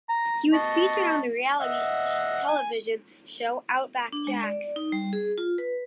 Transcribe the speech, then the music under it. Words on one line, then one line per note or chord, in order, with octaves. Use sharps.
He was featured on the reality television show "Outback Jack".
A#5
D#5 A5 C#6
D#5 E5 F#5
G#5
D4
G#3
D5
D#4
G3
G#4
F4
B4